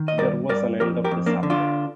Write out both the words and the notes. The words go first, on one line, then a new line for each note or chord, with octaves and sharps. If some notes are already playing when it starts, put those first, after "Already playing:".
There was an end of the subject.
Already playing: D#3
D#5
G2 A#4 D5
G2 A#4 D5
F2 G4 A#4
G4 A#4
F2
A#3 D4
D3
D4 F4